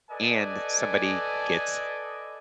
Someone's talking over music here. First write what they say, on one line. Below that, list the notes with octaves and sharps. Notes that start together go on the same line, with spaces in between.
and somebody gets
A4 B4 D5 D#5 G#5